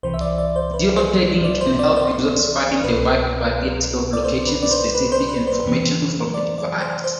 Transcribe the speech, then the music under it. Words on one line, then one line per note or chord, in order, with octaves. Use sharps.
Geotagging can help users find a wide variety of location-specific information from a device.
C2 C3 E3 C5
E5
D5
D5
C5
B4
C5
D5
C5
D5
C5
C2 B2 B4
D5
C5
B4
D5
C5
B4
C5
B4
C5
F2 C3 E3
D5
D5
C5
C5